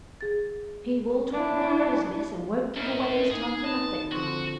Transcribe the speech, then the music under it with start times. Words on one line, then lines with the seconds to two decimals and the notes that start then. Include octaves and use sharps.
He will talk about business, and won't give away his time for nothing.
0.21 G#4 A6
1.32 D4 E4
2.76 G#2 E4 A#4
3.06 B4
3.31 D#4 G#4
3.64 D#4 B4 D#5 A5
4.12 D3 F3 C4 F#4